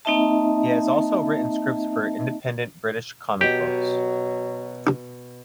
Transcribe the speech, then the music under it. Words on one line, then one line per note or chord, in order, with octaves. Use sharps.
He has also written scripts for Independent British comic books.
A#3 C4 D#4 D#5 E5 A5
B2 F#3 G4 B5